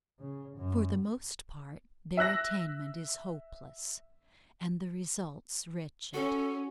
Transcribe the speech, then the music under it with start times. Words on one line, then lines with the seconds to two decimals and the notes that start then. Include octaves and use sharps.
For the most part their attainment is hopeless and the results wretched.
0.20 C#3
0.57 F#2
2.17 E5 E6 F#6 A#6
6.14 C#4 F#4 A4 A#4